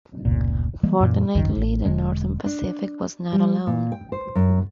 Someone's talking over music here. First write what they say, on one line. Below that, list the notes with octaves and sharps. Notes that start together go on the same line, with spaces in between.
Fortunately, the Northern Pacific was not alone.
F1 C#2 A#2
E3 G3 G#3 A#3
F#2 A#2 E3
G#1 C#2 F#2 D#3
A1
E1 D3 G#3
D4
G3
A#2
G5
C5
F#2